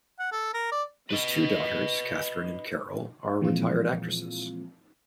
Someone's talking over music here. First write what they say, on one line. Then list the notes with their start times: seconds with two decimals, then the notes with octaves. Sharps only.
His two daughters, Catherine and Carol, are retired actresses.
0.19 F#5
0.32 A4
0.54 A#4
0.72 D5
1.11 B4 D#5
3.41 A#2 E3 F3 G#3 C4 F4